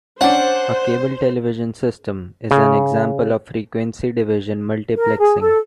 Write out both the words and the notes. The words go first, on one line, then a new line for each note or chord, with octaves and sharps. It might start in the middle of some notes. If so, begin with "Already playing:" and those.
A cable television system is an example of frequency-division multiplexing.
C#4 D4 C5 F#5
C#3
A#4
G#4
A4